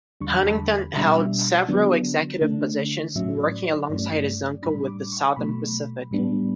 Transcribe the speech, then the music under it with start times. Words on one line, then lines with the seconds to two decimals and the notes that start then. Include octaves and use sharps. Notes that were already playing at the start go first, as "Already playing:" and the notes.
Huntington held several executive positions working alongside his uncle with the Southern Pacific.
0.20 E2 D3 G3 D4 C#6
0.30 B5
0.38 A5
0.48 B5
0.95 B2 G3 D4 E5
1.68 D3 F#3 B3 D4
2.42 D3 A3 D4
3.15 A2 F#3 C#4 E5
3.40 D5
3.65 D5
3.89 G2 F#3 A3 C#4 D5
4.63 A2 G3 D4 B5
4.87 D6
5.12 C#6
5.32 C#6
5.36 B2 F#3 A3 B5
6.11 A2 G3 B3 D4